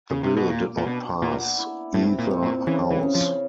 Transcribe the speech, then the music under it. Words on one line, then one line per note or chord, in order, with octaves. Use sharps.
The bill did not pass either house.
C#3
C3
B2
A#2 A#3
A#2
B2 D4
A#2 B3
E4
A2 C3
A#2
C3
A#2
C#3 E3
E3
C#3
F3